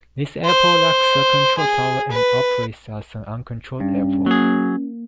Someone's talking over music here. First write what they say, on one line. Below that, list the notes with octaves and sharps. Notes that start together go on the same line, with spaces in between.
This airport lacks a control tower and operates as an uncontrolled airport.
C5
G#4
B4
G2 C#4
F#3 A#3 G#4